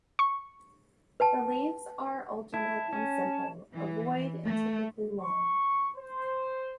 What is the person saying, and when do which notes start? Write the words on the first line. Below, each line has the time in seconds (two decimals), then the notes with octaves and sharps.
The leaves are alternate and simple, ovoid, and typically long.
0.19 C#6
1.20 B4 G5 A5
2.54 E4 A5
2.93 C#4
3.73 E3
4.44 A3
5.21 C#6
5.97 C5